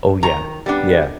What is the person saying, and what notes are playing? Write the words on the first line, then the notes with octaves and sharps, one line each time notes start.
Oh, yeah. Yeah.
D#3 A#5
G3 B3 D4